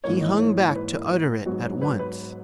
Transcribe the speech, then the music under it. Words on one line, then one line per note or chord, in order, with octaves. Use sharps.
He hung back to utter it at once.
G#2 E3 A#3 C#5
D#5
C#5
C#5
B4
A#4
G#2 F#3 B3 F#4
B4
B4